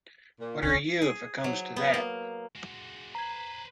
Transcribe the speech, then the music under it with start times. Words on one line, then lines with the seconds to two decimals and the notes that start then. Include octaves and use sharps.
What are you, if it comes to that?
0.40 A#2
0.63 D#1 C2 C#4
1.02 G#4
1.44 F#3
1.76 B3
1.94 A#3
2.55 G#3 F#4
3.15 B4 C5 A#5 G#6